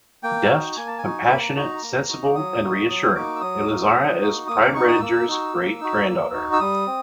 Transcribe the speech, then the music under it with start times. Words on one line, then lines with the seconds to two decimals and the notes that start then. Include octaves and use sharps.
Deft, compassionate, sensible and reassuring, Elizara is Prime Reidinger's great-granddaughter.
0.23 A#3 G5
0.50 D#4 F#4
0.77 A#3 G#5
0.87 A5
0.98 G#5
1.03 D#4 F#4
1.29 A#3 B5
1.39 A#5
1.49 A5
1.56 D#4 F#4 A#5
1.83 A#3
2.09 D#4 F#4
2.25 D6
2.35 F#3 D#6
2.62 A#3 D#4 F#4
2.89 F#3 D#6
3.15 A#3 D#4 F#4 D6
3.36 E6
3.41 F#3 D#6
3.68 A#3 D#4 F#4
3.95 F#3
4.22 A#3 D#4 F#4
4.48 A#3 D#6
4.61 D6
4.74 D#4 F#4 C#6
4.88 D#6
5.00 A#3 E6
5.28 D#4 F#4
5.54 A#3
5.81 D#4 F#4
6.08 A#3
6.34 D#4 F#4
6.53 E6
6.60 G3 D#6
6.87 C4